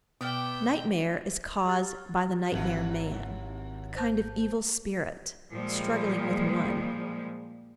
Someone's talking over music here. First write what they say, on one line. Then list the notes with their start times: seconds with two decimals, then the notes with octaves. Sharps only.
Nightmare is caused by the nightmare man, a kind of evil spirit, struggling with one.
0.21 B2 B3 G4 D5 E5 G5 F6
1.67 G4 F6 A6
2.52 G#1 D#2 G#2 F#3 C4 E4
3.96 C5 A5 G6
5.53 A#2 F3 G3 G#3